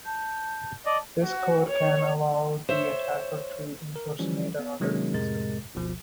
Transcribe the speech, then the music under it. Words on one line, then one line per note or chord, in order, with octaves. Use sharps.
This code can allow the attacker to impersonate another user.
A5 G6
D5 D#5 A5
F#4
C#5
C5 C#5 E5
A#4
E3 F3 G3 C#4
B3
C3 D#3 F#3 G#3 A#3 C#4
F2 A2 C3 G#3 A#4 A6
G1 D2 B2 F3